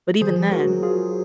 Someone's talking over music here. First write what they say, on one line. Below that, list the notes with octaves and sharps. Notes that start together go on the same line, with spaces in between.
But even then,
D#3 G#4 C5
F3
G#3 F#4 A#4
F#3
F4 G#4